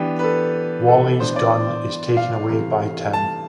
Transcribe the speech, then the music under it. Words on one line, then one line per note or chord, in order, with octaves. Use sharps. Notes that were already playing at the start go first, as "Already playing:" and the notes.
Wally's gun is taken away by Tim.
Already playing: E3 B3 D4 G4
B4
A4
A4
E3 B3 D4 C5
D5
F5
C3 E3 A3
A5